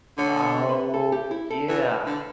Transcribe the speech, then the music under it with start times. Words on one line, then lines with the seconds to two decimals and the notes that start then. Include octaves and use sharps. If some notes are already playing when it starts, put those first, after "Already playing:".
Oh, yeah.
0.18 D3 C#5
0.43 C#5
0.69 B4
0.94 A4
1.12 G4
1.31 E4
1.51 A4
1.68 E3 B4
2.06 D3